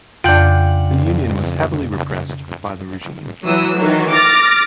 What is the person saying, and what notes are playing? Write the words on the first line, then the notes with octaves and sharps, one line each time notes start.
The union was heavily repressed by the regime.
F2 C#3 D4 F4 F#5 G5 G6
E3 F#3 D#6 E6
D#3 E3 F#3
D6 F6 A6 A#6